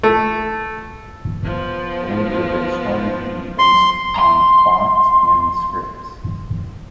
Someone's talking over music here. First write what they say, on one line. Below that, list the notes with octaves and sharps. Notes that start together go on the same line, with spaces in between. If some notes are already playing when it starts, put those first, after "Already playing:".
Later they started to be based on bots and scripts.
A3
F3 B3
C6
A#5 C6